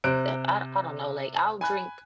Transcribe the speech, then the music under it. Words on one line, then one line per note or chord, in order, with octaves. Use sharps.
uh, I I don't know, like, I'll drink
C3 C5 F#6 D7
G#5 B5 F#6